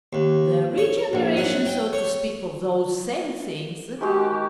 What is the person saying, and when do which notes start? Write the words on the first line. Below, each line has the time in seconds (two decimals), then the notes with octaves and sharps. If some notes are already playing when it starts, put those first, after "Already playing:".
"The regeneration, so to speak, of those same things."
0.13 D#2
0.78 C#5
1.13 A#1
1.37 F#3
1.66 G5
1.93 C#5
4.01 D#3 G#3 F#4 G4